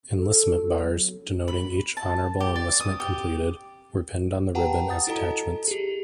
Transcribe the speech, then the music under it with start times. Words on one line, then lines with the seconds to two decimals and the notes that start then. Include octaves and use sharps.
Enlistment bars, denoting each honorable enlistment completed, were pinned on the ribbon as attachments.
0.17 A4
0.78 F#3
1.48 B5
1.97 A5
2.40 G4
2.56 D5
2.80 D#6
3.00 G4
4.55 G4 B4 F#5 G5 A5 A#5
4.89 F#5 D#6 A6
5.07 E4 F#4 A4 D#5 A5 A#5
5.68 G4 G#4